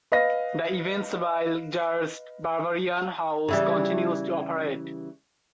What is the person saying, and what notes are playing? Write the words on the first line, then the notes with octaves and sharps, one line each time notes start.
The Evansville Gerst Bavarian Haus continues to operate.
B4 D#5 F5 A#6
C#3 E3 G3